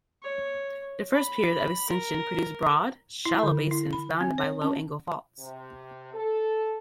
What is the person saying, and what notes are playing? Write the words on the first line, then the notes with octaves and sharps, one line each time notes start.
The first period of extension produced broad, shallow basins bounded by low-angle faults.
C#5
B5
A#4
E4
D3
E4
B5
C4
C#5
C#4
C3
A4